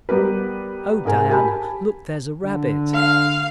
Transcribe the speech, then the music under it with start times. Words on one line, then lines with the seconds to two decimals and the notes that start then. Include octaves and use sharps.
Oh, Diana, look, there's a rabbit.
0.09 G3 B3 G4 A#4 B4
1.05 G#2 G#3 A#4 G#5
1.29 G4 A#4 G#5 A5 B5
2.44 D3
2.94 F5